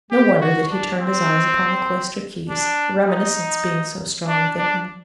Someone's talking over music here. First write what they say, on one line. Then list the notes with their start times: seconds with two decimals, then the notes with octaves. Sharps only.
No wonder that he turned his eyes upon the cloister keys, the reminiscence being so strong within him.
0.11 G4
0.41 F#4
0.70 D4
1.01 C4
2.50 D4
3.08 D#4
4.28 D4
4.58 D4